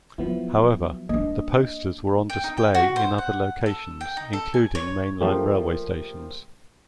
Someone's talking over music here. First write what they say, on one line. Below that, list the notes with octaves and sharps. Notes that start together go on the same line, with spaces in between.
However, the posters were on display in other locations including mainline railway stations.
F3 F#3 B3 E4
A#3 D4 D#5
G5
D#4
G5
F#4
C5
F#5
A4
G5
D#4
A4
G#5
C#5
F3 A3 A#3 G4